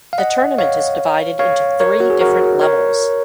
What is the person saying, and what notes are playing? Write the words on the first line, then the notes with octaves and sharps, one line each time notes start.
The tournament is divided into three different levels.
F5
D#5 F#5
C#5 F5
C#5 F5
A#4 C#5
F#4
G#4
F#4 A#4
A#4 C#5